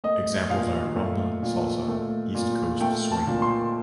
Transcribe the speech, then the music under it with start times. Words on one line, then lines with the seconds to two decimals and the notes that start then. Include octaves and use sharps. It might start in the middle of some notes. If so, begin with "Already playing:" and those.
Examples are rumba, salsa, east coast swing.
0.04 A3 D#5
0.50 A#2 F5
0.96 A3
1.42 A#2
1.88 A3
2.34 A#2
2.81 A3 G5
3.12 A5
3.27 A#2
3.42 C6